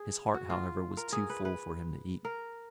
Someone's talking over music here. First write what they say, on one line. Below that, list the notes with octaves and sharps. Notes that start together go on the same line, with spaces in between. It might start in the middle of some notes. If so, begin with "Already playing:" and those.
His heart, however, was too full for him to eat.
Already playing: G#4
F#4
F4
A#4
G#4
B4
B4
A#4